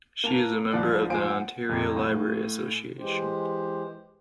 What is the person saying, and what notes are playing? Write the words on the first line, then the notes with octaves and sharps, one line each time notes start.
She is a member of the Ontario Library Association.
A#3 A5 F7
C2 F3 F4 D5 F#6
A1 F3 F4 C5 G#5 D7
F#5
F2 C3 G#6
A#1 A2
E3 G#3 G4 C5